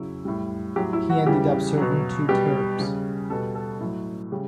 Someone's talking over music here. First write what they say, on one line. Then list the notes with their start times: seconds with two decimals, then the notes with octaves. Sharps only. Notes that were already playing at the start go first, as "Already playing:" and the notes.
He ended up serving two terms.
Already playing: C#3 F#3 E4
0.25 A2 G3
0.76 A2 F#3 G4
0.93 E4
1.10 F#4
1.26 C#3 E3 G3 G4
1.78 B2 F#3
2.28 B2 G3 G4
2.80 C#3 G3
3.30 B2 G3 A4
3.55 A4
3.81 A2 F#3
4.32 C#3 G3 G4